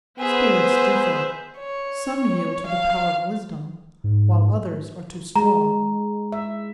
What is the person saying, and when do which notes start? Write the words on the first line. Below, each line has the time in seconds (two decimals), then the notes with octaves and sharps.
"Spirits differ; some yield to the power of wisdom, while others are too strong."
0.19 B3 G#4 B4 C5 E5
1.59 C#5
2.67 F5
4.04 G#2
5.36 G#3 A#5
6.32 E5